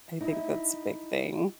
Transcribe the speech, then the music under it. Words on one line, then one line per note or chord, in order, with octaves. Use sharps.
I think that's a big thing.
D#4 E4